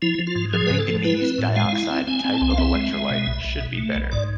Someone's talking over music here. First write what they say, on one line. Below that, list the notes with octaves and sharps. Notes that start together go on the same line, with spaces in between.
The manganese dioxide type of electrolyte should be better.
F3 E4
F3
F4
G#2
F3 G#4
G#2 B4
A4
F3
E4 B4
C4
A2
G#3 F5
E4
C4
C4 G#5
C4
A5
C2 G#5
F5
C4 E5
G#3
G#3
B2
B1
B1
B2
A3
B1
G#2 D5